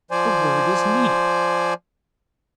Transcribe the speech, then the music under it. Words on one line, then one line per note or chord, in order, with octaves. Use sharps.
The word is needed.
F3 C5 D5 G#5